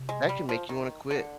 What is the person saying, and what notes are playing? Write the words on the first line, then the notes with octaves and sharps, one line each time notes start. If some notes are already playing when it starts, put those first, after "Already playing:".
that can make you wanna quit.
Already playing: C3
G#3
G3
F3
D#3
D3